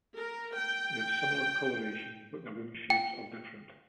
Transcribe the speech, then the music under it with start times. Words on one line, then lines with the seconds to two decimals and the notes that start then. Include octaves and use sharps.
They have similar coloration, but their wing shapes are different.
0.14 A#4
0.54 G5
2.90 G5